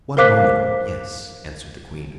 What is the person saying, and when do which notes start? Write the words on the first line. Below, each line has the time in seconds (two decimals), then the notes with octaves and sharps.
"One moment, yes," answered the queen.
0.17 A#4 C5 F5 D6 F#6 B6